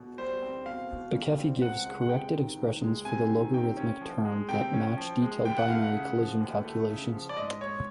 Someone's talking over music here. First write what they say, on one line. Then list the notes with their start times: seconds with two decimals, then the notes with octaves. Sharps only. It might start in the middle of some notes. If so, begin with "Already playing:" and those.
Bekefi gives corrected expressions for the logarithmic term that match detailed binary-collision calculations.
Already playing: B2
0.18 G3 C5
0.42 C4
0.66 B2 F5
0.91 B2
1.14 G3
1.38 C4
1.62 C#2 F#5
1.86 G#3
2.01 F#5
2.09 C3 G5
2.34 D#3
2.57 C#2
2.81 G#3
3.05 C3 G#5
3.29 D#3
3.54 C3 G5
3.77 C#4
4.01 F3
4.25 G#3
4.49 C3 G5
4.73 C#4
4.97 F3
5.22 G#3
5.45 D#2 G5
5.58 F#5
5.68 A3 F5
5.82 F#5
5.93 C#3
6.17 F3
6.40 D#2
6.64 A3
6.89 C#3
7.13 F3
7.29 D5
7.37 G#2 D#5
7.61 G#2 C#5